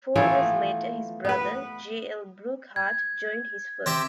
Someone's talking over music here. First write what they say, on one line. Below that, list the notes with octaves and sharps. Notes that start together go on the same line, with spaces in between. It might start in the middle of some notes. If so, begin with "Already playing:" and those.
Four years later his brother, J. L. Brookhart, joined his firm.
E3 F3 A3 B3
B3 B4
G#6
C4 G4 E5